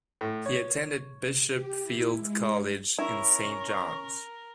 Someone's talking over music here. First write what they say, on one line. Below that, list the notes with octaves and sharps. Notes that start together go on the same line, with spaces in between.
He attended Bishop Feild College in Saint John's.
A2
C#5
G4
E4
G#3
C#4 E4 A#4 C#6